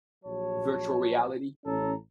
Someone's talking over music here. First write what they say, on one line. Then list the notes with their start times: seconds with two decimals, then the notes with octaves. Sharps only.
Virtual reality?
0.25 A#1 F#3 C#5 A5
1.66 A1 C#4 A4 A#5